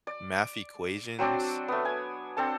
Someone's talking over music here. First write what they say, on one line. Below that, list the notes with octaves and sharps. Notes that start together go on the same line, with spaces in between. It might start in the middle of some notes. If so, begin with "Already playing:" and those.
math equations
D5
F#3 C4 D4 D5
A3 B3
G#5
C4 D4 A4 A5